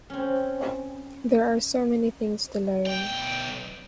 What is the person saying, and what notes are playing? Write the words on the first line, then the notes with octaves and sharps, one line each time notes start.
There are so many things to learn.
C4 C#4
B1 G5